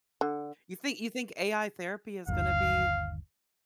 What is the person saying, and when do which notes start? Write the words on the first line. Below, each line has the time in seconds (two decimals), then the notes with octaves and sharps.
You thi you think AI therapy is gonna be
0.21 D3
2.28 G1 D#2 D#3 F5